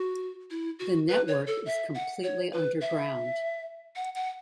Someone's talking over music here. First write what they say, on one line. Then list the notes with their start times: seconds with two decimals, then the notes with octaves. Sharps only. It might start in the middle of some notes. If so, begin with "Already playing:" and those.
The network is completely underground.
Already playing: F#4
0.51 E4
0.79 F#4
1.08 B4
1.28 C#5
1.47 A4
1.66 E5
1.95 F#5
2.23 C#5
2.52 B4
2.81 E5
3.96 F#5
4.15 F#5